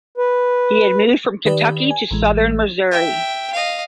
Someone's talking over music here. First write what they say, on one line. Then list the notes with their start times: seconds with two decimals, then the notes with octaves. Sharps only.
He had moved from Kentucky to southern Missouri.
0.18 B4
1.45 D#3 G4 B4 D5
1.91 G#5
2.11 A1 E3 G#3
2.91 E5 G5
3.53 D#5 F5